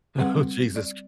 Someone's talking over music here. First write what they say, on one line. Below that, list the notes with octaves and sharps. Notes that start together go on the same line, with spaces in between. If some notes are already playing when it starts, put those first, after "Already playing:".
Oh, Jesus.
G3 C4 G#4 B4 F#5
D5